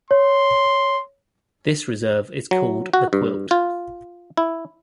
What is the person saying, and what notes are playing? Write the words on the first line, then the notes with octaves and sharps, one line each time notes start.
This reserve is called the quilt.
C#5 C6
F#3
F#4
G2
F4
E4